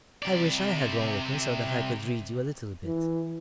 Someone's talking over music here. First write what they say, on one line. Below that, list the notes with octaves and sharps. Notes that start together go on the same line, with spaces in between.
I wish I had one with me, so that I could read you a little bit.
C3 D5
E3